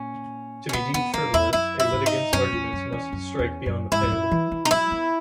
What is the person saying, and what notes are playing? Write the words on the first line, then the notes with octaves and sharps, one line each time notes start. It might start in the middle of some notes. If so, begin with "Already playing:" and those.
To be deemed frivolous, a litigant's arguments must strike beyond the pale.
Already playing: A#2 C#4
C#4
C#3 B3
E2 B3
F#2 A#3
E2 E4
F#2 E4
E4
G#2
D#4
F#2 C#4
E2
F#2
E2
F#2
E2
F#2
G#2 E4
E2
F#2
E3
E3
D#4
F#3 E4
B3